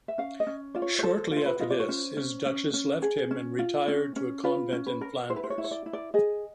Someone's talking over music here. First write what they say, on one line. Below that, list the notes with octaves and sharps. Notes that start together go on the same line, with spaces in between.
Shortly after this, his Duchess left him and retired to a convent in Flanders.
E5
C#4 F5
D#5
C#4
F4 D5
C#5
C#5
A4 C5
F4 C5
B4
F4 D#5
D5
C#5
C#4 C5
C#4
C#4
C#4
G#4
C#4
F4
C#4
C#4
F4 B4
C#4
B4
A#4
E4 C5
B4
C5
C#5
E4
C#5
D5
E4
D5
G#4 D#5